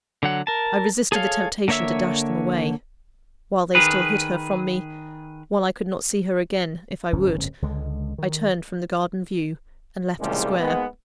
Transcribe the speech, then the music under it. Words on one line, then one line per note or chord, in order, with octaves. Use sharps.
I resisted the temptation to dash them away. While they still hid her from me--while I could not see her again, if I would--I turned from the garden view, and left the Square.
D3 F#3 F#5
A#4 A5
G#4 A4 C#5 F5
D3 A#3 C#5 E5 E6
D#3 G#4 B4
D1 G1 F#2 C#4
C#2 D3 G#3
D#3
C2 A#2 C#3 F3 G3 G#3
G#2 G#3 A#3 B3